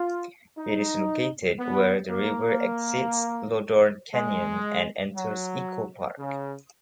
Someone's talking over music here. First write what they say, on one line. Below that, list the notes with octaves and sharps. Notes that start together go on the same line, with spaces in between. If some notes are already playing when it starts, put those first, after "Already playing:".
It is located where the river exits Lodore Canyon and enters Echo Park.
Already playing: F4
D#4
B3
A#3
G#3
F#3
C#3